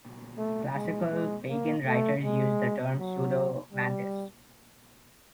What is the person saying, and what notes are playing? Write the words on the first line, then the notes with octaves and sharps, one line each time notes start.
Classical pagan writers use the term "pseudomantis".
A3
G#3
G#3
A#3
A3
G#3
F#3
G3